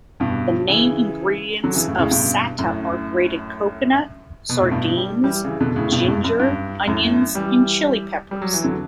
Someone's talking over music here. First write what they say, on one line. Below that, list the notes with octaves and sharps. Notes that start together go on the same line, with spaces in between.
The main ingredients of sata are grated coconut, sardines, ginger, onions and chili peppers.
G2 B2
C#3 E3
D3 F#3
C#3 E3
A2 C#3
A2 C#3
G2 B2
F#2 A2
B2
A2
G2 B2
G3
E3 G3
C#3 E3
B2 D3
A2 C#3
G2 B2
A2
G2
F#2
G2
F#2 A2
E3 G3
G3
F#3
E3
D3 F#3